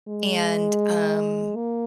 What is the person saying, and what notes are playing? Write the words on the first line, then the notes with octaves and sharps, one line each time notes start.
and, um,
G#3
A#3